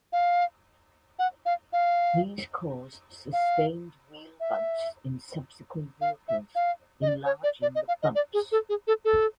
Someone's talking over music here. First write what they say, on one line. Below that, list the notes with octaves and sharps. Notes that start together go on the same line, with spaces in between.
These cause sustained wheel bounce in subsequent vehicles, enlarging the bumps.
F5
F#5
F5
F5
F5
E5
F5
E5
F5
D#5
D5
C#5
D5
D5
D#5
F5
D#5
D5
G#4
A4
G#4
A4
A4